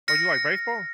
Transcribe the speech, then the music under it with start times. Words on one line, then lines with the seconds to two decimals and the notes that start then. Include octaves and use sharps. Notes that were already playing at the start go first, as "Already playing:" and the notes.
Oh, you like baseball?
0.08 F6 A#6 C#7